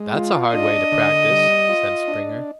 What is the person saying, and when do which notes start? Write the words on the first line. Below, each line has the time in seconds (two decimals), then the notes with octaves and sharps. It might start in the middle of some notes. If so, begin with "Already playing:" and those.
"That's a hard way to practice," said Springer.
Already playing: G#3
0.15 F4
0.53 D4 D#5
0.92 D3
1.30 G3
1.69 F4
2.08 D4